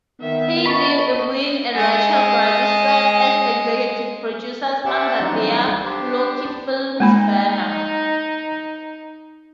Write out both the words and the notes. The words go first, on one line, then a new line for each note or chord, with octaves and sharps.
Heidi Ewing and Rachel Grady serve as executive producers under their Loki Films banner.
D#3 B3 E5
D#5 A5 B5 C#6
G#3 D#5
G4 C5 D5 E5 F#5 A5
E3 F#3 G3 C4 D4 D#4
D4 G4 C5
G#3 A#3 D#4 B5